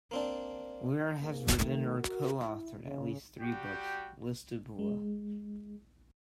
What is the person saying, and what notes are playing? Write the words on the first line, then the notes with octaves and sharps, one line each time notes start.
Weir has written or co-authored at least three books, listed below.
A#3 C4 D4
G#2 G#3 A#3
D#3 A3
F#4 A#4
E4
C#3
G3 F#4 G4 G5
G#3